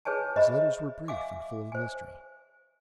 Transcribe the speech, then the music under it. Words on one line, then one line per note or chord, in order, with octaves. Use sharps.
His letters were brief and full of mystery.
G#4 B4 C#5 G#5 A5
C5 D#5 E5 A#5 B5
E5 F5 G#5 D6
C5 G#5